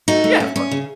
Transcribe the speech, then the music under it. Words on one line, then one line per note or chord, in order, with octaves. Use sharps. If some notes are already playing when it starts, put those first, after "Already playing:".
Yeah, of course.
A3 D#4 F#4
A3
C#4
C#4
C#3